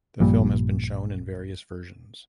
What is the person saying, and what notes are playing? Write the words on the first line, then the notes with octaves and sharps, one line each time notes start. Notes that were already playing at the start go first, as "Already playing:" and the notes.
The film has been shown in various versions.
A#1 G2 A#2 G3